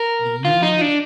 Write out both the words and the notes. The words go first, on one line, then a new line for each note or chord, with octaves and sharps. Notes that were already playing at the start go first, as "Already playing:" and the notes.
Do you
Already playing: A#4
F4
D#4
D4